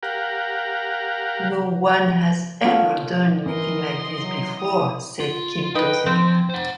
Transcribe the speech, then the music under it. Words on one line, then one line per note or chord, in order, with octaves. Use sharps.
"No one has ever done anything like this before", said Gildo Zegna.
G4 A#4 F5 F#5
C#4 F4 A4 F5
E3 A#4 D#5 C6
F#3
E4 D#6
F4
D#4 B4 D#5 G5
F3 C4
C5 F#5